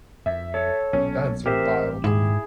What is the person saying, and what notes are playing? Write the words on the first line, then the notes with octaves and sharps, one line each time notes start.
That's wild.
F2 E5
A4 C#5
B1 A#2 C#4
A1 C4 G4 A#4 C5 E5
D#1 G#2 E4 G#4